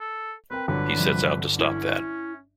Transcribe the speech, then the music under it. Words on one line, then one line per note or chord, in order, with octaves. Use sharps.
He sets out to stop that.
A4
C4 A#4 B4 G5
G1 D3 F#3 B4
C3 F3 G3
C#4 E4 E5